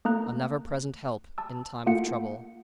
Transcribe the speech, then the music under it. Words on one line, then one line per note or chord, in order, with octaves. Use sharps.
A never present help in time of trouble.
A3 A#3 A#5 F#6
A5 E6
A3 A#3 F4 F#5 C#7